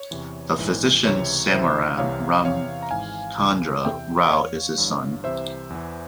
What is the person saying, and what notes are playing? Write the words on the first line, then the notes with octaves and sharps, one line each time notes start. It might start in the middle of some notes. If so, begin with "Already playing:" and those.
The physician Samaram Ramachandra Rao is his son.
Already playing: C#5
E2 C3 E3
A#1 G#2 E3
C#2 C3 E3 C#5
C#2 C3 E3 C5 E5
C2 C3 E3 C#5 F5
E2 C3 E3 C#5 F5
A#5
G#1 G#2 E3 F5 G#5
C#2 C3 E3
E2 C3 E3 E5 G5
E2 E3 C#5 F5
G1 G2 E3
C2 C3 E3 C5 E5
E2 E3